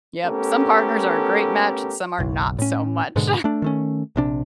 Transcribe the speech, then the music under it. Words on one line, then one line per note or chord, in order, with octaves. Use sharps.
Yep, some partners are a great match, some are not so much.
A3 B3 C#4 G4 A4 A#4
F#1 B1
A2 C#4
G#2 B2 D3 G#3
A3 D4
D#3 A3 C#4
A#1 C3 D4